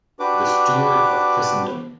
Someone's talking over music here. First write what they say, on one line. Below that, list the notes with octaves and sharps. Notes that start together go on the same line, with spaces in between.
The Steward of Christendom.
D4 F#4 G4 B4 D6